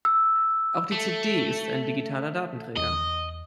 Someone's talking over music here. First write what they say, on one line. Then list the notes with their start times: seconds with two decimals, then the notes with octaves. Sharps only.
Auch die CD ist ein digitaler Datenträger.
0.05 E6
0.92 A3
2.77 E2 D#5